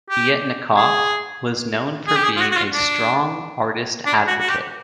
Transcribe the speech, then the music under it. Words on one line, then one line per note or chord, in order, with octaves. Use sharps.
Yetnikoff was known for being a strong artist advocate.
G4
G#4
G#4
G4
G#4
F4
F#4
F#4
F4
D4
D4
F#4
F#4
G4